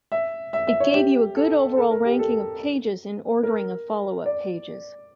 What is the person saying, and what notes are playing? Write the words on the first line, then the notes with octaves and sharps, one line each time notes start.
It gave you a good overall ranking of pages and ordering of follow-up pages.
E5
E5
E5
C#5
G4
A4
A4
A#4
G4
A4
A#4
D5